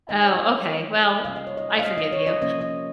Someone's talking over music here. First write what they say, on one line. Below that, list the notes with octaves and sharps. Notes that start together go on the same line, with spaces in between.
Oh, okay, well, I forgive you,
D#3 G#3 D#4 D#5
C#5
C#5
C3 G3 A#3 C#4 F5
D#5
C#5
D#5
F5
D#5
D#5
C#5
D#5
C3 F3 A#3 C#4 D#5
D#5